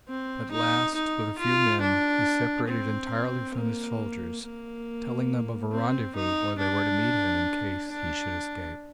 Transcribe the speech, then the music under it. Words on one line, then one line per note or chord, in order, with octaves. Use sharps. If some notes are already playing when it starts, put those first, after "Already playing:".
At last, with a few men, he separated entirely from his soldiers, telling them of a rendezvous where they were to meet him in case he should escape.
C4
D#4
D#4
F4
D4
C4
A#3
A#3
C4
D#4
D4
D4